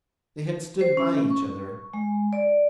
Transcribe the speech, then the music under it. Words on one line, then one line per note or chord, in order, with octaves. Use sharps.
They had stood by each other.
C5
C#4
C#6
G#3
D5